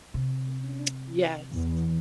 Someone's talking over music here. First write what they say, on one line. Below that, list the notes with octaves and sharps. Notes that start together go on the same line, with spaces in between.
Mm. Yes.
C3
E2